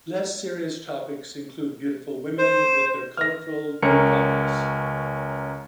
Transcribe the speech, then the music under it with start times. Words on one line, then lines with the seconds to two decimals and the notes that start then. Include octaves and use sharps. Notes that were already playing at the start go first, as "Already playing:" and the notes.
Less serious topics include beautiful women with their colourful duppattas.
2.38 C5
3.17 F6 A#6
3.82 C#2 C#4 A#4 C#7